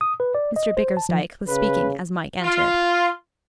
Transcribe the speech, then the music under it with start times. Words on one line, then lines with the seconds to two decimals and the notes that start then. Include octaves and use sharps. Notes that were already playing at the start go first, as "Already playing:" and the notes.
Mr Bickersdyke was speaking as Mike entered.
0.01 D#6
0.20 B4
0.35 D5
0.56 D#5
0.77 C5
0.97 A5
1.09 F3
1.48 C#3 B4
2.42 F4